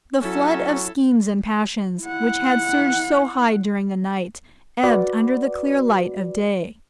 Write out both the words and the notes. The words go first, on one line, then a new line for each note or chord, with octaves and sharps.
The flood of schemes and passions, which had surged so high during the night, ebbed under the clear light of day.
F#3 C#4 E4 A4
E4 F#5
F#4 B4 D5